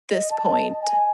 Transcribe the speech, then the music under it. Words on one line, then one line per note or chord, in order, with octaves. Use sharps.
this point
D#5
A5
D#5
G#5